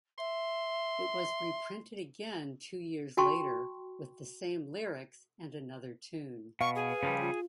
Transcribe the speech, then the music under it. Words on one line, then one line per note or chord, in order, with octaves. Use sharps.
It was reprinted again two years later with the same lyrics and another tune.
E5 C6
F#4 G5 A5 C6 C#6
B2 F5 C#6
G#4
B4
C#3 F3 G3
F4